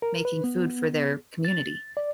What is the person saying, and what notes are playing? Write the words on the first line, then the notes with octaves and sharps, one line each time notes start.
making food for their community.
A#4
B4
B3
A6
D5